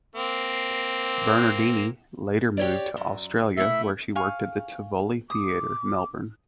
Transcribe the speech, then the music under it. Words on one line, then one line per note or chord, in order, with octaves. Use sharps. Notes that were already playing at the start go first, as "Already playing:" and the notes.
Bernardini later moved to Australia where she worked at the Tivoli Theatre, Melbourne.
A#3 C4
G4 C#5 D5
F#2
A3 E4 E5
F5 G#5 C#6
D6 D#6